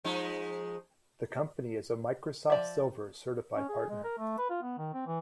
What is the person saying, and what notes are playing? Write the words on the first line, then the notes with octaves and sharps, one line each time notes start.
The company is a Microsoft Silver Certified Partner.
F3 G#3 D#4
F3 D5 E5
C#4
G#4
G#3
A#4
A3
B4
F4
B3
D#3
C4
E3